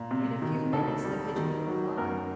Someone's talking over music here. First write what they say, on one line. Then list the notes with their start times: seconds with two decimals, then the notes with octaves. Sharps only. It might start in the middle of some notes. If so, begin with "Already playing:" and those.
In a few minutes the pigeon will fly.
Already playing: A#2
0.11 C3
0.42 D#3
0.73 D2 A4
1.04 G3
1.36 D#3
1.67 F#3
1.98 F#2 A#4